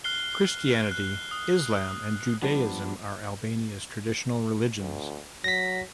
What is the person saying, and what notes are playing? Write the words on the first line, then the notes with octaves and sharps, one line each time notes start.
Christianity, Islam, and Judaism are Albania's traditional religions.
F6 F#6 C7 G7
F#6
D#6
F3 G3 B3 D4
D2
F#3 A#6 B6